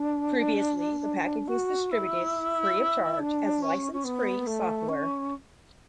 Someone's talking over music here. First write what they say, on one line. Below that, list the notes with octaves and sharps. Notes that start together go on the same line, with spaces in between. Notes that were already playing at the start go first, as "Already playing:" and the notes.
Previously the package was distributed free of charge as license-free software.
Already playing: D4
F#4
E4
D4
C#4
C#4
B3
A3
C#4